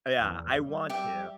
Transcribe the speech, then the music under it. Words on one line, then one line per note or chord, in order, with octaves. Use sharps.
Yeah, I want to.
E2
G3
G4 E5